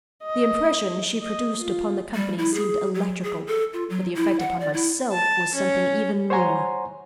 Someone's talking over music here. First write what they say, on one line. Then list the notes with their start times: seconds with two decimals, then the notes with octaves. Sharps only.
The impression she produced upon the company seemed electrical but the effect upon myself was something even more.
0.24 D#5
1.22 D#5
1.57 F4
2.14 G3
2.38 E4
2.54 G#4
2.95 F#3
3.24 G#4
3.47 A4
3.74 F4
3.90 F#3
4.15 E4
4.40 F#5
4.60 D5
4.74 E4
5.12 A5
5.54 C#4
6.30 C5 C#5 F#5 G#5 A#5 C6